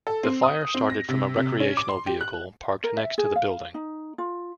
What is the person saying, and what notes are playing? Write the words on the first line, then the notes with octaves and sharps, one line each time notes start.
The fire started from a recreational vehicle parked next to the building.
A4
C4
D#6
C4
A#6
C3
C3
C#4
D6
C6
G4
F#6
A#4
E5
G#4
F5
D#4
F4